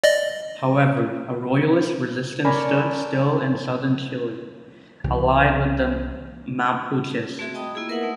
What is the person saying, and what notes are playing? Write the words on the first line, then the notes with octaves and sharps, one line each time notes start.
However, a Royalist resistance stood still in southern Chile, allied with the Mapuches.
D5 D#5
A#4 C#5 D5 G#5 A5 B5
C2 E3
A3 C4 F#4 G#4 E5
D#5 G5 A5 B5 D#6
A#3 E4 F4 G#4
B3 A#4 B4 E5 F#5
A3 D#4 E4